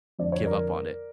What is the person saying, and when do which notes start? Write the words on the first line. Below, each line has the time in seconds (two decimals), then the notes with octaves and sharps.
give up on it.
0.19 F2 D3 F3 D5
0.32 C#5
0.46 A#4 D5